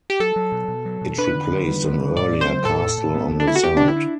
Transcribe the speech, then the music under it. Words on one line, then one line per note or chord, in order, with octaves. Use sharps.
It replaced an earlier castle on the site.
G4
F#3 A4
F#3
B2
B2
F#3
B2
D4 B4
D3
D3
G3
D3
G3
A2 D5
C4
C5
F#3
A2 A4
A2
A2
B3
D3
D4
B3 E4
F#4
B3 G4
D3 D4
E4
D4